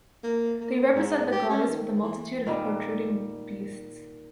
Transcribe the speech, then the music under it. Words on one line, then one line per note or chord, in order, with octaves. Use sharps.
They represent the goddess with a multitude of protruding beasts.
A#3
A#3
G#2
G4
C#4
D#3
E3
A#2 D#3 G3